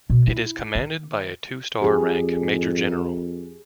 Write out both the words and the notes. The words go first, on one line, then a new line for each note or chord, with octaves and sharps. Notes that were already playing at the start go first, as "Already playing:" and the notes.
It is commanded by a two-star rank Major-General.
B2
E4
D#3
F2 G4 G#4